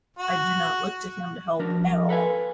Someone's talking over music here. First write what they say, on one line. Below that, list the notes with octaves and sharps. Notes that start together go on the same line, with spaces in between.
I do not look to him to help at all,
F#4
F3 D4 F#4 A#4
A4 B4 F5 G#5